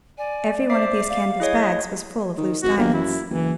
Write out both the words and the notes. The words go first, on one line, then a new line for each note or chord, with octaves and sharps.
Every one of these canvas-bags was full of loose diamonds.
D5 G#5
C5 E5 D6 C7
D5 F5
E4 G#4 C#5 D#5
D#3
G#1 F#4
G1 A#3
F#2 E4
F#1 E3